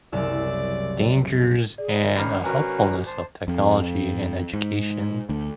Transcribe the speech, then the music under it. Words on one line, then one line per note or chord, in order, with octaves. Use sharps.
dangers and, uh, helpfulness of technology in education.
F#1 C2 D5 E6
G#4 D5
G#1 C#4 D4 A#5 B5 F6
C#4 F#4 A#4 B4 G#5
C5 A5
F2
G#2
D2